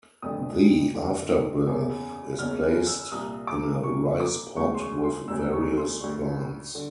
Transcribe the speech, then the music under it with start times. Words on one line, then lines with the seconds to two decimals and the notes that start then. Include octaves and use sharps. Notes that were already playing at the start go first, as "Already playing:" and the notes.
The afterbirth is placed in a rice-pot with various plants.
0.22 F1 F2 D3 D#6
0.94 F1 F2 D3
1.67 F#1 E2 C#3
2.39 F#1 E2 C#3 F6
2.63 F#6
2.87 E6
3.12 C2 A#2 D#6
3.47 D6
3.83 C2 A#2 C#6
4.20 D6
4.56 E1 D2 C#3 C#6
4.75 C6
4.80 C#6
5.04 C6
5.28 E1 D2 C#3 E6
5.53 C#6
5.77 C6
6.00 D2 D3 C#6
6.75 D3